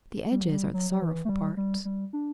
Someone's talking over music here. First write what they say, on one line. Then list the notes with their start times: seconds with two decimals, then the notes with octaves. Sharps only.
'The edges are the sorrowful parts.'
0.31 G3
0.42 F#3
0.52 G3
0.74 F#3
0.91 F#3
1.02 E3
1.25 A3
1.29 G3
1.57 G3
1.85 G3
2.13 D4